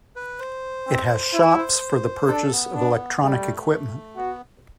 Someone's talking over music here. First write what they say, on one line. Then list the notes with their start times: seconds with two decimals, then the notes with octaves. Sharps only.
It has shops for the purchase of electronic equipment.
0.16 B4
0.39 C5
0.87 C4
1.33 E4
1.58 C5
2.27 D4 A4
2.52 B3
2.75 D4
3.22 G3 A3
4.16 B3 F#4